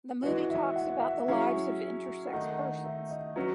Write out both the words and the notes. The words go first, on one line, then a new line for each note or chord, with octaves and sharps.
The movie talks about the lives of intersex persons.
E3 G#3 B3 F#4 D#5
E5
F#5
E5
F#3 C#4 E4 G#4 C#5
D#3 A3 D#4 F#5
E5
D#5
F#3 C#4 F#4 B4